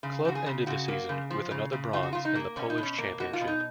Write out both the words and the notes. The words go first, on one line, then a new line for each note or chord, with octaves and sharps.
Club ended the season with another bronze in the Polish Championship.
C#3
C#3 F#4
G#4
C#3
C#3 F#4
A#3
C#3
F3
C#3
C#3
C#3 F4
F#4
C#3 F4
D#4
A#3
B2 C#4
D#4
B2
C#4
A#3
B2 F#4
F4
B2
D#4